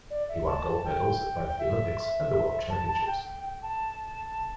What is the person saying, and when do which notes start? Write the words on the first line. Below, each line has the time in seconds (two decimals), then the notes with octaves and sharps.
He won gold medals at both the Olympics and the World Championships.
0.10 D5
0.29 E5
0.47 A5
0.66 A5
0.85 G5
1.47 G5
1.59 E5
2.70 A5
2.88 A5
3.07 G5
3.25 G5
3.43 G5
3.62 A5